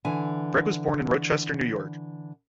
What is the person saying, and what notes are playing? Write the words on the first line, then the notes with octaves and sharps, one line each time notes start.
Breck was born in Rochester, New York.
D3 E3 G#5